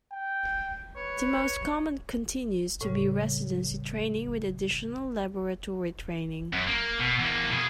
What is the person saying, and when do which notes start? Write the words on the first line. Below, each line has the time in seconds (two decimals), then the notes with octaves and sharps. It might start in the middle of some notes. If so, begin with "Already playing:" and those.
The most common continues to be residency training with additional laboratory training.
0.12 G5
0.96 B4 C#5
2.81 A2 C#3 G3
6.53 F#2
6.68 A#3
7.00 B2
7.19 E2 A#3
7.51 B2 G#4